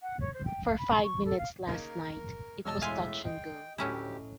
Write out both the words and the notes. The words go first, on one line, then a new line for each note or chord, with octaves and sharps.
For five minutes last night it was touch and go.
F#5
C#5
C5
G5
F5
B5
C#6
A4
F5
C#3 A#3 D#4 A#4
E1 C#5 D#5 A5 E6 F6
C#2 A2 G#3 E5 F5 G#5 C6
D#5 G5
D2 A2 F#3 C#4 E4 G4